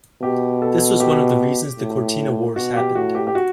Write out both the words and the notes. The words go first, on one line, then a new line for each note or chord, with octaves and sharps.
This was one of the reasons the Cortina Wars happened.
B2 G4
A4
G4
A2
B2 F#4
G4
A2 F#4
G4
G4
F#4